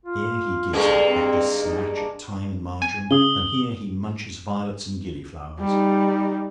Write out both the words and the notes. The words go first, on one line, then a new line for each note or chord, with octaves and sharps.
Here he gives a reckless snatch at thyme and marjoram--and here he munches violets and gilly-flowers.
F4
G2 G#3 A#3 A4
C4
D#4
D4
G#5
C#3 D#6 G7
G3 D#4